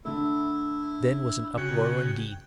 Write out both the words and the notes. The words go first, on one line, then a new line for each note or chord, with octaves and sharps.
Then was an uproar indeed.
D3 A3 E4
C#3 F#4 G5 C#7